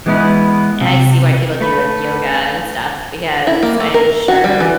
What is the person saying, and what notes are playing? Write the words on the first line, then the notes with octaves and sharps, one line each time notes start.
And I see why people do, like, yoga and stuff because I'm sure
E3 G#3 B3 D4 E4
C3
A3 B4
E4
A#3
A3
A#4
F#4
G3
E3